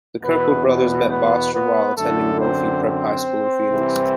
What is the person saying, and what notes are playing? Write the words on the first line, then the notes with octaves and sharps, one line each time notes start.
The Kirkwood brothers met Bostrom while attending Brophy Prep High School in Phoenix.
E2 B2 B3 B4
B3 B4
B3 B4
B3 B4
F#2 D3 A3 A4
C4 C5
C4 C5
C2 C3 E3